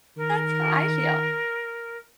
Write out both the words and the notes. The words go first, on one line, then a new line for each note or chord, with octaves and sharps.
That's how I feel.
D#3 A#4